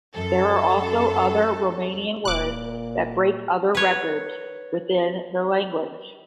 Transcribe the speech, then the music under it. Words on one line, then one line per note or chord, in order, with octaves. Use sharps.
There are also other Romanian words that break other records within the language.
F#2 A4
D#1 A#2 D6 F#6
B4 C#5